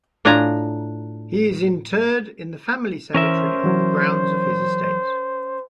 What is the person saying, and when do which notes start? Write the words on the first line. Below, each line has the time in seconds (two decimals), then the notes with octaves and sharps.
He is interred in the family cemetery on the grounds of his estate.
0.25 A2 D4 F4 G#5 A#5
3.15 E3 C#4 A#4 C5 E5
3.64 E3 F#3